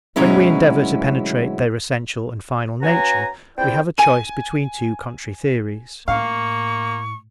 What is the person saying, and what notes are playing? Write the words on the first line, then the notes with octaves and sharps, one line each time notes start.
When we endeavour to penetrate their essential and final nature, we have a choice between two contrary theories.
D2 B2 F#3 G#3 C#4 E4
C#4 F#4 B4 G#5 A#5
C#2 C4 E4 D5 G5
G#5 D#7
A2 A#3 F5 C#6